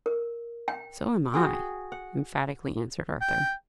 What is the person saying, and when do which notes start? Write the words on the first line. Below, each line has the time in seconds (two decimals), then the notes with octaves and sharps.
"So am I," emphatically answered Arthur.
0.06 A#4
0.68 G5
1.34 F#4 G#4 G5
1.92 F#5
3.21 G5